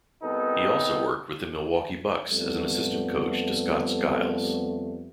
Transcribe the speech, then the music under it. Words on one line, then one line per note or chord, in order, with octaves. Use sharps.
He also worked with the Milwaukee Bucks as an assistant coach to Scott Skiles.
C2 B3 D#4 G4 A4
F2 G3 A3 B3